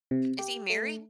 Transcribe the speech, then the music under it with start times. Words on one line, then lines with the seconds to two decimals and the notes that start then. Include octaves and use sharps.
Is he married?
0.11 C3
0.39 G4
0.70 A3